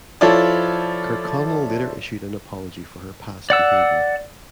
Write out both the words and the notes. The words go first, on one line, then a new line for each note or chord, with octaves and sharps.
Kirkconnell later issued an apology for her past behavior.
F3 E4 F4 A4 C#5 D5
D5 F#5 E6